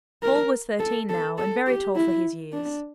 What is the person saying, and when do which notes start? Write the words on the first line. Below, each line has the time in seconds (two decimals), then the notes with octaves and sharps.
Paul was thirteen now and very tall for his years.
0.22 A#4
0.79 A4
1.09 A4
1.38 A4
1.66 G4
1.96 E4
2.53 D4